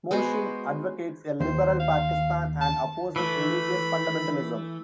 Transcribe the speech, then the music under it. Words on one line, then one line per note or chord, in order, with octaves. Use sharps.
Mohsin advocates a liberal Pakistan and opposes religious fundamentalism.
G#3 B3 F#4 C5
D#2 C5
F5
A5
E3 A3 B5